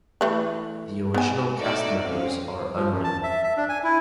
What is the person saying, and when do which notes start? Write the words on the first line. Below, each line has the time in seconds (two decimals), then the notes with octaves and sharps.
The original cast members are unknown.
0.21 E3 A3 B4
1.14 B3 G#5
1.59 D#4 F#4 A4 D5 E5
2.03 C4 C#4 F5
2.75 F3
2.91 F#2
3.04 A5
3.23 E5
3.44 E5
3.57 D4
3.69 G#5
3.84 E4